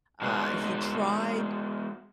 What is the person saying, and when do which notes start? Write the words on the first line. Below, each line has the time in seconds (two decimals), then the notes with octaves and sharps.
Uh, he tried
0.22 G#3 B3 D#4 F#4